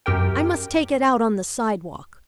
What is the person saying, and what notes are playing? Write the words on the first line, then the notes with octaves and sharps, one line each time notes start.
I must take it out on the sidewalk.
F#2 G4 A#4 G5